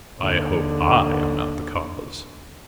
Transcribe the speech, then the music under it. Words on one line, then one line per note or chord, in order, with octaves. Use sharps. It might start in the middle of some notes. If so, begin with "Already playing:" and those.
"I hope I am not the cause."
D#2 D3